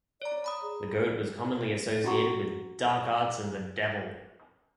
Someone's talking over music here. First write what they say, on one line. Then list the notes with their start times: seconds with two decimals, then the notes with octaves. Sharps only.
The goat was commonly associated with dark arts and the devil.
0.22 C#5 D5 A#5
0.44 A#5 B5 D#6
0.62 G#4
2.04 C#4 F#4 G4 F#5 A#5 C#6